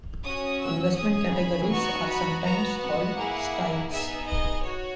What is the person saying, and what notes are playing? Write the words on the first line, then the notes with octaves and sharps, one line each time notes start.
Investment categories are sometimes called "styles".
C#4 F#4 D#6
E6
C#4 G#4 D#6
B5
B3 D#4 F#4 C#6
B5
B3 F#4 A#5
F#5
A#3 E4 G#4
B3 D#4 G#4 E5
D#5
F#4 C#5